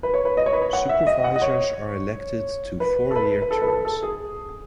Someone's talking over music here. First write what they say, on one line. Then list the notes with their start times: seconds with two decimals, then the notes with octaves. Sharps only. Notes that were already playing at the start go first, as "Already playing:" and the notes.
Supervisors are elected to four-year terms.
0.03 B4
0.14 C#5
0.25 B4
0.37 D#5
0.46 C#5
0.53 B4
0.62 C#5
0.73 F#5
0.89 E5
1.07 D#5
1.24 F#5
1.36 D#5
1.42 C#5
2.80 B4
3.11 A4
3.16 B4
3.42 B4
3.51 A4
3.62 B4
3.67 A4
3.85 A4
4.03 G#4